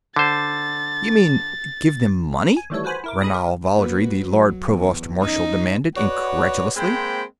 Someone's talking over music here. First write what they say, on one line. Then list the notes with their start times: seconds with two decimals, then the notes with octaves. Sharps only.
"You mean, give them money?" Ranal Valdry, the Lord Provost-Marshal demanded, incredulously.
0.16 D3 C5 A6
2.57 G#5
2.70 D#3 E3 G3 A3 A4 C#5
2.84 F#4 B4 C5 G#5 B5
3.04 E4 A#4 D6
3.22 G#4 D#5 B5 D#6
3.35 A#4
3.76 A#3 F#4 B4
4.17 F#3
4.69 E2
5.19 C#4 D#4
5.96 F#4 B4 C#5 D5 F#5
6.77 G#3 A#3 C4 C5 G5 B5